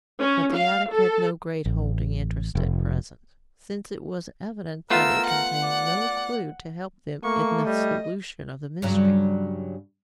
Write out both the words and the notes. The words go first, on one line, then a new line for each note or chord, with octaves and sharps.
But the attic had no great holding interest at present, since it was evident that it contained no clue to help them in the solution of the mystery.
C#4
F5
A4
A1
F1
A3 B3 F4 A#4 E6
F#5
D5
A3 A#3 C#6
G3 D#5
G2 C#3 F#3